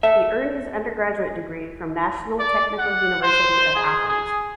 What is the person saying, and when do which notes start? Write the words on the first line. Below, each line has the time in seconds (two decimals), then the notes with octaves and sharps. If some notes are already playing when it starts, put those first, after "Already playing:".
He earned his undergraduate degree from National Technical University of Athens.
0.03 A4 E5
2.39 D5
2.78 F#5
3.22 C5
3.75 G#4
4.08 G#4